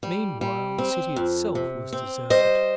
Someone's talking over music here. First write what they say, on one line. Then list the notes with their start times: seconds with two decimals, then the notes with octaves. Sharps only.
Meanwhile, the city itself was deserted.
0.03 G3
0.41 G3
0.78 C4
1.16 F2
1.55 C3
1.93 C4
2.30 G3 C5 D#5